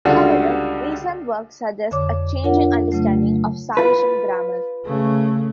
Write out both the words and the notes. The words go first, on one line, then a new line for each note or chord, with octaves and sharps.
However, recent work suggests a changing understanding of Salishan grammar.
C#2 D3 G3 F4 F#4
F2 D3 C#5 D6
D4 F4 A#4 C#5 F#5
C#3 F#3 A3
F4 B4
C#3 A3